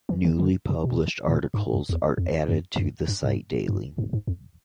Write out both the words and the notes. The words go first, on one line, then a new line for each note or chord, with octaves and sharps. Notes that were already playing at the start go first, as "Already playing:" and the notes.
Newly published articles are added to the site daily.
E3
D#3
D3
C3
B2
A#2
G2
G#2
F#2
E2
F2
F#2
F#2
G2
G#2
G2
G#2
G#2
F2